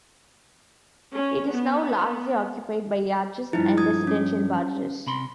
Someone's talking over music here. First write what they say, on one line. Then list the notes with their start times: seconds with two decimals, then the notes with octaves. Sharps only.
It is now largely occupied by yachts and residential barges.
1.11 C#4
1.51 B3
3.53 G2 F3 D#4 E4
3.78 D#6 G#6
4.07 C#4
5.07 C3 B5 C6